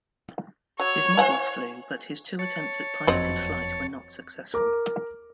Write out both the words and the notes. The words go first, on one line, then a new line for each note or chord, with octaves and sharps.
His models flew, but his two attempts at piloted flight were not successful.
F#3 C#5
E3 F#5 G#5
C#5 A5
F#1 F2 F#3 C4 D#5
A#4 D6